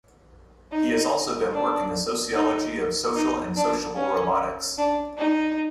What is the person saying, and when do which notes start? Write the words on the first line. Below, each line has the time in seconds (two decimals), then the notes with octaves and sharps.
He has also done work in the sociology of social and sociable robotics.
0.73 D#4
1.54 D4
2.34 D#4
3.16 D#4
3.57 D4
3.96 C#4
4.78 D4
5.19 D#4